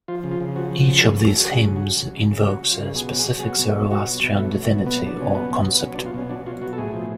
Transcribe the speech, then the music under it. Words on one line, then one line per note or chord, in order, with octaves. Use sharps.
Each of these hymns invokes a specific Zoroastrian divinity or concept.
F3 F4
C#3
F4
C#3
F3 F#4
F3
F#4
C#3
F#4
C#3 G#4
F#3
A4
F#3 F#4
C#3 G#4
C#3
F#4
F#3
F#3
C#3
C#3
F#3 F#4
F#3
F4
C#3
B2 G#4
F#3
G#4
F#3
G#4
B2 F#4
B2
F#3
F#3 F#4
B2
B2
F#3 A3
F#3
A3
B2
B2 B3
F#3 D4
F#3 C#4
B2 B3
B2
F#3
B3
F#3 C#4
D4
B2
F4
B2 C#4
F#3 D4
F#3 F4
B2 F#4
A4
A2 G#4
F3